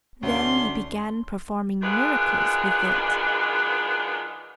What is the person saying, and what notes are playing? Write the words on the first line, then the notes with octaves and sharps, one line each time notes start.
Then he began performing miracles with it.
D2 C#4 D4 C6
D#3 F#3 G#3 D4 F4 B4